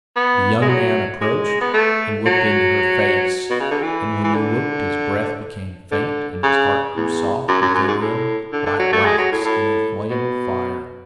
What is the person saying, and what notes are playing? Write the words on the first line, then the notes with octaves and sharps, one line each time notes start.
The young man approached and looked into her face, and when he looked his breath became faint and his heart grew soft within him like wax in a flame of fire.
B3
G#3
F#3
G#3
B3
A3
F#3
B2
C#3
D3
E3
E3
D3
D3
C#3
E2
F#2
F#2
F#2
G#2
A2
D3
D3
F#3
A3
G#3
F#3
A2
A2
B2